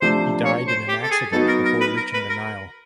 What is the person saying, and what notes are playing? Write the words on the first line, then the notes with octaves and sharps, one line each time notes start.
He died in an accident before reaching the Nile.
C3 F3 A3 D4 C5
C#5
C5
G4
A4
G#4
F#3 B3 D#4 F#4 A4
A#4
A#4
B4
A#4
B4
A#4